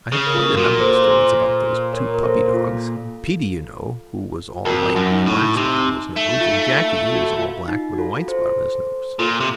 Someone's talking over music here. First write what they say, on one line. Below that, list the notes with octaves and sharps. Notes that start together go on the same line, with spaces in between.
I have quite a number of stories about those two puppy dogs; Peetie, you know, who was all white with a black spot on his nose, and Jackie, who was all black with a white spot on his nose.
C#3
A#4
F4 A4
A#2 F#4 A#4
A4 C5
A4 C5
A#4 C#5
A#4
A4 C5
F4 A4
F2 F#4 A#4
F#4
F#2
D#4
A2
C3 D#4
A3
F4
D#4
F4
F#4
F4
D#4
F#4
F4 A4
A4 C5
A#2 F4 A4
C3